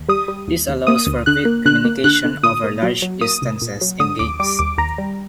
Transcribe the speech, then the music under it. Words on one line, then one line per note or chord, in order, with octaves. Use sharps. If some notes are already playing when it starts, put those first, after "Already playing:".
This allows for quick communication over large distances in games.
Already playing: D#2
G3 D#6
G3
D#2
D#2
A#3 D#6
D2
D3 F#6
A#3
D3 F#6
A#3
D3 F#6
D3
A#2 D#6
A#3
F#3
F#3
A#3 D#6
C2
A#2
F#3
D3 D#6
D#2 D6
G3 D6
D#2 D6
D#2 A#5
G3